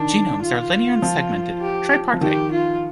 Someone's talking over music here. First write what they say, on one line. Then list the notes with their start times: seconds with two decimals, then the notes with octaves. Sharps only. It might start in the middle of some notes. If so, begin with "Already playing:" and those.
Genomes are linear and segmented, tripartite.
Already playing: D#3 D4
0.42 F4
1.02 F3
1.62 G4
2.13 F3
2.21 D#3 G4
2.52 F4